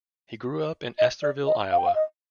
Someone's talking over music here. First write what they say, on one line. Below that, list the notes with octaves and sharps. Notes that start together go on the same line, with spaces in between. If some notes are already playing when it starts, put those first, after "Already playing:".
He grew up in Estherville, Iowa.
D#5
D5
D#5
F5
G5
F5
D#5